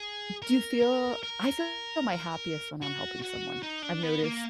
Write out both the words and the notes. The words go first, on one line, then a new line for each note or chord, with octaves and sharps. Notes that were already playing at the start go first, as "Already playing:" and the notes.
do you feel I feel my happiest when I'm helping someone, I've noticed.
Already playing: G#4
A#4
A#4
A#4
F#4
F#4
D#4
D4
B3
A#3